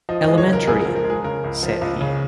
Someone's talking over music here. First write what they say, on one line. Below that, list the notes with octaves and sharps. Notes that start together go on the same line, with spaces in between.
'Elementary,' said he.
F3 D#5
G#3 D#5
C#5
C#3
A#4
C#2 G#4
A#4
F3
A#4
G#3
G#4
C#3 A#4
C#2
F3
C#2
C#3